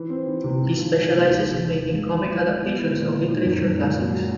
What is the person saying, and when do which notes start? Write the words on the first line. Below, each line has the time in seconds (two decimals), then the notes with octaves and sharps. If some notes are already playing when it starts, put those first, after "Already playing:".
He specializes in making comic adaptations of literature classics.
Already playing: E3
0.10 C4
0.27 E3
0.44 C3
0.61 G#2
0.78 F3
0.93 G#2
1.11 A#3
1.28 D#2
1.44 F1
1.60 D#3
1.78 D#2
1.94 G#3
2.11 E3
2.28 G#3
2.45 G#3
2.62 B3
2.78 E4
2.95 A#2
3.11 A#2
3.29 D#3
3.45 F#2
3.62 F#2
3.79 G#3
3.95 A#2
4.12 F#3